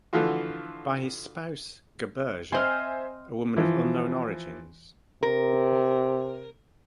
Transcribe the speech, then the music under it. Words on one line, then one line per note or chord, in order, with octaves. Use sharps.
By his spouse, Gerberge, a woman of unknown origins.
D3 E3 F3 A3 F4 F#4
C4 C5 D#5 E5 G#5 C6 F6
E3 F3
C3 A#4